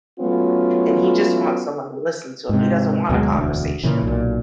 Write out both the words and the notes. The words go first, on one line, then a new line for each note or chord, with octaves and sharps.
and he just wants someone to listen to him, he doesn't want a conversation.
F#3 A3 B3 C#4 F4
G#2 C3
D2 B2 F#3 G#3
E1 D2
A#2 C#3 E3
B1 A#2